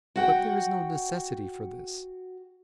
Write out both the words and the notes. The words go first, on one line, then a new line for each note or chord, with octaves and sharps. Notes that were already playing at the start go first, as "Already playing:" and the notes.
But there is no necessity for this.
F#4 F#5 G5